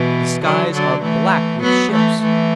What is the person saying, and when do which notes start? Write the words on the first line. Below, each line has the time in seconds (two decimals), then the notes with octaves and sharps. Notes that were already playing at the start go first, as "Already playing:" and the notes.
The skies are black with ships.
Already playing: B2 E3
0.43 D3 F#3
0.73 D3 F#3
1.03 E3 A3
1.62 F#3 B3
1.92 E3 A3
2.21 E3 A3